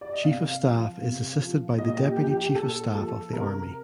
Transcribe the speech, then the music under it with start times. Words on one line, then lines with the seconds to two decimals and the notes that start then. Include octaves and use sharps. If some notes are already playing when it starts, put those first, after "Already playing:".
Chief of Staff is assisted by the Deputy Chief of Staff of the Army.
0.01 D5
0.13 D#5
0.24 C3 F5
0.63 F3
1.02 C3
1.40 F3
1.78 A#2 D#5
1.98 G4
2.17 F3 G4
2.37 G4
2.55 A#2 A4
2.94 F3 A4
3.32 C3 A#4